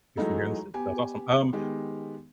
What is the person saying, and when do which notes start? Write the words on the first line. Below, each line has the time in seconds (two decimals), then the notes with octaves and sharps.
He's from here in the states. That's awesome. Um,
0.17 E3 F#3 G#3 A3 D#4 A4
0.74 B3 G4 G#5
1.53 D#3 G#3 B3 G4